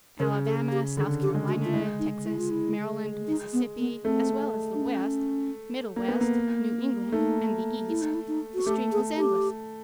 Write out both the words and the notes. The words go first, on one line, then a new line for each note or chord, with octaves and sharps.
Alabama, South Carolina, Texas, Maryland, Mississippi, as well as the West, Middle West, New England and the East-the stream was endless.
C#3 A#4
A4
G4
D3 G#4
G4
G#3
F#4
F4
G#3 E4
D#4
E4
F4
E4
D#4
B3
B3
A3 C4
D4
C#4
A#3
B3
A#3
A3 D#4
E4
D#4
E4
D#4
F#4
A3 G4
G#4
G4